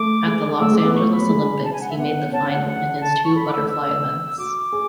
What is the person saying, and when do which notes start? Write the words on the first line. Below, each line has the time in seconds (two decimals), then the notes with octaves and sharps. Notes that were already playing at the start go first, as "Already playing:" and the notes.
At the Los Angeles Olympics, he made the final in his two butterfly events.
Already playing: A3 D6
0.26 G#3
0.60 A3 E6
0.72 G#3
0.78 D6
0.84 B3
0.95 A3 C#6
1.12 B5
1.19 F#3
1.29 G#3
1.63 A5
1.72 G#5
1.81 F#5
1.89 E5
1.98 B3 F#5
2.32 C#4 A5
2.49 F#5
2.66 F#5
3.01 A5
3.24 C#6
3.35 A4 B5
3.48 D6
3.53 A4 E6
3.69 A4 E6
4.38 F#4 D6
4.73 G#4